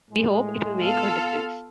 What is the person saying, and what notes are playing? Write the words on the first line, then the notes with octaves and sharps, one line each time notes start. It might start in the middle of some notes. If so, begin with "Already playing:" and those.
We hope it will make a difference.
A2 G#3
B3 F4 A4 F5